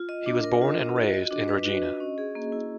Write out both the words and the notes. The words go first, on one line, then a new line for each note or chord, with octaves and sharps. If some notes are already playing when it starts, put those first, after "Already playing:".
He was born and raised in Regina.
Already playing: F4
D#5
D4
A#4
F4
D#5
F#4
D#5
D4
B4
F#4
D#5
C#4
G#4
A#3
E4